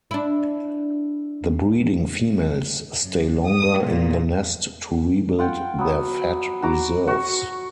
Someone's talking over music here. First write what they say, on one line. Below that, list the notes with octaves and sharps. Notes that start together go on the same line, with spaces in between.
The breeding females stay longer in the nest to rebuild their fat reserves.
D4 E4
F#2
D#6
A#2
F4 F#5 G5
F#3 B3
F#4 A#5 D6
F#4 C#6